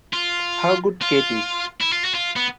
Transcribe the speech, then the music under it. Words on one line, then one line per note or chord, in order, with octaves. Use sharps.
How good Kate is!
F4
F4
E4
F4
F#4
F4
B3